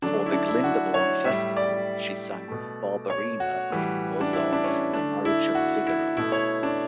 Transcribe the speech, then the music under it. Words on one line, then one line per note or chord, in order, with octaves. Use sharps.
For the Glyndebourne Festival she sang Barbarina in Mozart's "The Marriage of Figaro".
D3 F#3 A3 D4
E4
D4
E4
F#4
C#5
A2 G3 E5
D5
B2 A3
C#5
F#4
A2 E3 G3
D4
E4
D4
C#4
D3 A3 D4
E4
F#4
E4
B2 A3 E4
C#5
D4